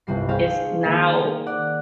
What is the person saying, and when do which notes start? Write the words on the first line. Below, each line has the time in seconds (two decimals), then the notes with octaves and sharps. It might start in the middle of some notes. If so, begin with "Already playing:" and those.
it's now
0.07 G1 C2 G3 C7
0.29 C4 G4 G#4 C5 C#5 F5
0.46 D#4 G#4
0.85 D#3 A#3
1.46 D5 F#5